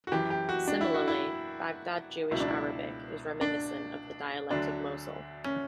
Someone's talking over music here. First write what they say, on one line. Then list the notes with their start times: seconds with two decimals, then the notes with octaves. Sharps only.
Similarly, Baghdad Jewish Arabic is reminiscent of the dialect of Mosul.
0.07 F#4
0.12 F#2 E3 G4
0.30 G4
0.49 F#4
0.68 D4
0.81 E4
0.94 F#4
1.08 E4
2.31 C#2 B2 F#3 E4
2.40 D4
2.48 E4
3.41 D4
4.50 D2 D3 F#3 D4
5.44 C#4